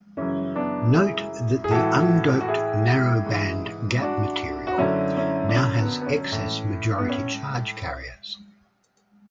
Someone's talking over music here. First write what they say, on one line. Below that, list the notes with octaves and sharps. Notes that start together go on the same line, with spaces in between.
Note that the undoped narrow band gap material now has excess majority charge carriers.
F#2 C#3 E3 C#4
B3 D4
E4 G#4
G#4
A2 E3 F#4 A4
F#4
E4 G#4
G#2 E3
D4 F#4
F#4
F#2 D3 C#4 E4
C#4 E4
D4
C#4
B3
B3
C#4
A2 E3
B3
C#4